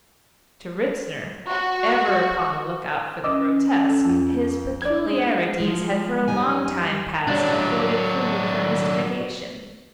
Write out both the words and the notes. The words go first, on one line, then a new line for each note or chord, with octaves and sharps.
To Ritzner, ever upon the lookout for the grotesque, his peculiarities had for a long time past afforded food for mystification.
F#4
C#4 D#5 D6 E6
A4
F2
D4 D5 G#6
G#3
F3 G#3
F#2 G3 D#4 G#5
F#3 D4